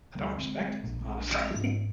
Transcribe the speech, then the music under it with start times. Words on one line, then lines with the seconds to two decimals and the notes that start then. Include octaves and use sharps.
I don't respect it, honestly,
0.15 D2 D3 G3 A#3
0.38 G#3 C4
0.61 G#3 C4
0.84 A#1 A#2 A#3 D4
1.01 G#3 C4
1.18 A#3 D4
1.35 G#3 C4
1.47 C4
1.52 G#1 G#2 A#3 D4